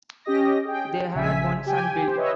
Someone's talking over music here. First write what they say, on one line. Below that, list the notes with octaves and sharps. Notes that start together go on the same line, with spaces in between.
They had one son, Bill.
C#4 G4 D#5 A#6
G#4 G5
A#1 C#3 E5 G#5 B6
G4 G5 G#5
G4 C5
B4 C#5 D#5 E5